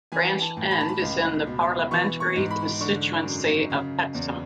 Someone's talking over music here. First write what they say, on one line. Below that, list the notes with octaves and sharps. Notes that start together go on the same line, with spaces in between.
Branch End is in the parliamentary constituency of Hexham.
E3 G#5
A5
A2
B5
A5
B5
C#2
B2
E3 C#6
C#6
G#2
B5
D3 C#6
F#2
C#3
E2